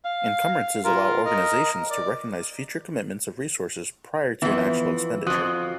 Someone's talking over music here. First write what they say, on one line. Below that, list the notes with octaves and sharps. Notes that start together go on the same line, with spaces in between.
Encumbrances allow organizations to recognize future commitments of resources prior to an actual expenditure.
F5
F4 A#4
A#4 D#5
D5
F2 E3 B3
F2 F3 F#4 D#6 F#6